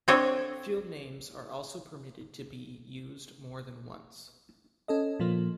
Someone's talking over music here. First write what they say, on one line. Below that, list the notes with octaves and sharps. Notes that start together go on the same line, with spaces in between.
Field names are also permitted to be used more than once.
C4 D4 A4 C#5 D#5
C#4 A4 D#5
A#2 F3 A#3